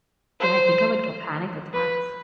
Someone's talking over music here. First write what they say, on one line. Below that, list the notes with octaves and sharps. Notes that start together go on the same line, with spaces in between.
yeah, I think I would get panic attacks.
C5
B4